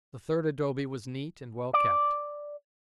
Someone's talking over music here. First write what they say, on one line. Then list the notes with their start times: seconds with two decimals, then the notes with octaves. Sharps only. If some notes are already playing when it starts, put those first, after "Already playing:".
The third adobe was neat and well kept.
1.73 D5